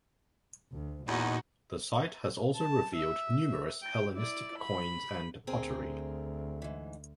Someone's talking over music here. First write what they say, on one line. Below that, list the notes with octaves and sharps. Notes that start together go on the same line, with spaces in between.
The site has also revealed numerous Hellenistic coins and pottery.
D2
E2 A#2 D#4 F#4
A5
E5
G5
E4 D5
B5
D2 C4 G#4 A#4
G#2 E3